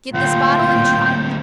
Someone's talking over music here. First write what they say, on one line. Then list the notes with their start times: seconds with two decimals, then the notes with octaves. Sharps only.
Get this bottle and try it.
0.14 D2 A#2 C4 F4 G5